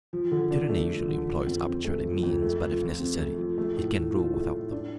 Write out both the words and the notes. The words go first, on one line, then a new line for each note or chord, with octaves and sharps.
Tyranny usually employs arbitrary means, but, if necessary, it can rule without them.
F3
D3
D4
A3
F3
D3
F3
F2
C4
A3
F3
F2
A3
F3
F4
C4
A3
F3
A3
A2
A2
F4
A3
A2
D4